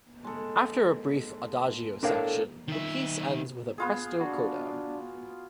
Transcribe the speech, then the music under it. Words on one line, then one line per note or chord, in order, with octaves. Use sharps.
After a brief Adagio section, the piece ends with a Presto Coda.
G#3 A4
A2 D4 A4 A#4 F5
D#3 E5
B3 F4 G#4
D4 F#4